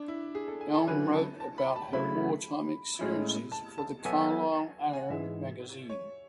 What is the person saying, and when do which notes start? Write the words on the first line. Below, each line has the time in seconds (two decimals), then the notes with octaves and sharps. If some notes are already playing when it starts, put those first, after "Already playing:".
Elm wrote about her wartime experiences for the "Carlisle Arrow" magazine.
Already playing: D4
0.08 E4
0.35 G#4
0.48 A4
0.61 G#5
0.74 A5
0.87 D3 F#3 C#4 E4 B4 G#5
1.14 A5
1.40 A5
1.58 B5
1.76 A5
1.93 C#3 F#3 A3 E4 B5
2.99 A2 G#3 C#4 E4
3.52 A5
3.78 A5
4.05 F#3 B3 F#4 A4 E5 G#5
4.93 G#5
5.02 F#5
5.10 G#2 E3 G#3 E5
5.90 C#5